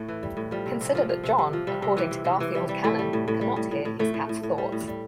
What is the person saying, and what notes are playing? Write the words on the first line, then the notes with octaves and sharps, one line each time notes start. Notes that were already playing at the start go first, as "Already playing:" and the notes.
Consider that Jon, according to Garfield canon, cannot hear his cat's thoughts.
Already playing: A2 A3
E3
G3
A2
F3 G3
C3
C3
F3
F3
C3
C3
F3
C3 G3
C3
E3
C3
C3
E3
G3
G3
A2 A3
G3
A2
A2
G3
A2
A2
A2
A2 A3
A2
A2
A2
G3
A2
G3